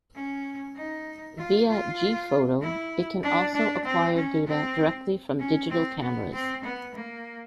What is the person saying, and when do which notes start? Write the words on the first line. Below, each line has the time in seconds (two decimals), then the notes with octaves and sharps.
Via gPhoto it can also acquire data directly from digital cameras.
0.14 C#4
0.76 D#4
1.38 F4
1.69 F4
2.61 E4
3.23 D4
3.54 D4
3.85 C4
4.16 C#4
4.47 C4
5.39 C#4
5.70 C4
6.02 B3
6.32 C4
6.63 B3
6.94 A#3